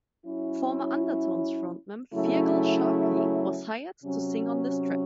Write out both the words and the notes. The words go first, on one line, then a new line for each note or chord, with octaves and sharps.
Former Undertones frontman Feargal Sharkey was hired to sing on this track.
F#3 C#4 E4
C#3 F#3 A3 C#4 E4
C3 F#3 C#4